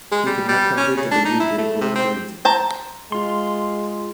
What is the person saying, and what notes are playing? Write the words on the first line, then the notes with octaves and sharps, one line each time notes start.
He could not complete the degree due to political reasons.
G#3
G3
G3
C#4
C#3
D4
D#4
E4
A3
C3
C4
C5 A5 A#5
G#3 F4 C6